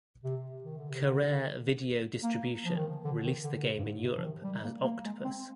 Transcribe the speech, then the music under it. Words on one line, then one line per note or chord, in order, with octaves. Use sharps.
Carrere Video Distribution released the game in Europe as Octopus.
C3
D#3
D3
C3
D3
A#3
F3
D#3
D3
D#3
D3
C3
G2
G#2
C3
F3
D#3
G3
A#3
A#3
G#3
C4